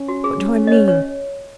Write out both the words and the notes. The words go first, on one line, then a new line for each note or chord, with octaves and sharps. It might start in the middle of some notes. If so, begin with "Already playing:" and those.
What do I mean?
Already playing: C#4
F#4
G#4
D#5
C#5
C#5